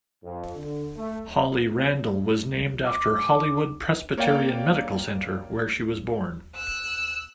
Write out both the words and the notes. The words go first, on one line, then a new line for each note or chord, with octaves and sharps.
Holly Randall was named after Hollywood Presbyterian Medical Center where she was born.
F2
D3
A3
D6
A#3 C#5 D5 F5 G5
E6 F#6